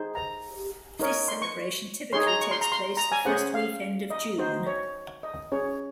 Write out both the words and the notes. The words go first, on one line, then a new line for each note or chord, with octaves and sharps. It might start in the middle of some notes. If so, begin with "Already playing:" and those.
This celebration typically takes place the first weekend of June.
Already playing: D#4 G#4 C5
A#5
D#4 A#4 C#5
C6
C#6
D#4 G#4 C#5 C6
A#5
C#6
C6
A#5
C6
A#5
G#5
C#4 G#4 C5 F#5
F5
D#5
D#4 F#4 C5
C#5
D#5
C#4 G#4 C#5